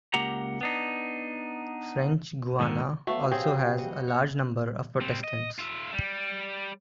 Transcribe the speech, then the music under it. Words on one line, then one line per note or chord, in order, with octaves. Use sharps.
French Guiana also has a large number of Protestants.
C#2 A#3 G4 F#5 A#5
B3 D4 D#4
D#2 G#2 D3 D#3
F#3 A3 B3 F#4 F5
C#3 C4 G4 G#4 G5
G3 F#4 D#5
C#5 A#5
G3 C4
D#5
F4 E5
G3